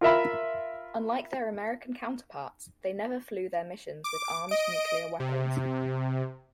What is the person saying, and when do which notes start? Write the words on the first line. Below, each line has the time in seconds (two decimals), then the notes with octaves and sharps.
Unlike their American counterparts they never flew their missions with armed nuclear weapons.
0.01 F4 A#4 E5 B5
4.04 D6
4.49 D#5 D7
5.20 C3